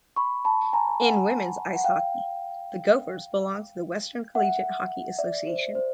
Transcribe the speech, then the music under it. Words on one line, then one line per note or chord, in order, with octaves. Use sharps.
In women's ice hockey, the Gophers belong to the Western Collegiate Hockey Association.
B5 C#6
A5 B5
G#5 A#5
F#5 G#5
F#5
F5 G5
E5 F#5
D5 E5
C5
C5